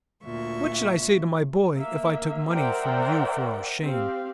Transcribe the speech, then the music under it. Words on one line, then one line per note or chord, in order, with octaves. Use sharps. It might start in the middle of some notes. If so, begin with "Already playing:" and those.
"What should I say to my boy if I took money from you for our shame?"
D2 A#2 F4 E5 C#6
A#3 E5
A#4 C5 D5 E5 F#5 G5
C4 G4 F5